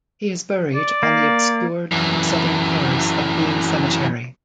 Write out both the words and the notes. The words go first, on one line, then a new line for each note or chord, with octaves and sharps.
He is buried on the obscured southern terrace of Dean Cemetery.
D5
A#3
F#2 E3